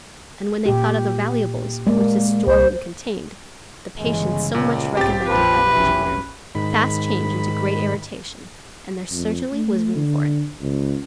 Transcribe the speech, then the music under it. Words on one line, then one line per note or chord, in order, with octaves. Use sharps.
And when they thought of the valuables which this storeroom contained, the patience so much recommended by the engineer, fast changed into great irritation, and there certainly was room for it.
A#2 G4
G#3 A#3 D5
C2 C5
G1 C#3 E3 G#3
C#2 A#2
B1 G#2 C4 G4 A6
A#1 F2 F3 B4
F1 B1 E3 C#4
G#2 D#3 B5
F2
A3
D3
C#2